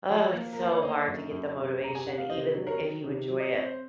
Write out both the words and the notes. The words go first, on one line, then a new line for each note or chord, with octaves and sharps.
oh, it's so hard to get the motivation even th if you enjoy it.
F3
A#3
A#4
A#3 C5
C#5
A#3 C5 D#5
F#2
F#2
C3
C3 A#5
G#5
C3 F#5
F5
C3 C5 D#5
F#3
A#4 C#5
D#3
C3
F#3
D#5
C4 C#5
C5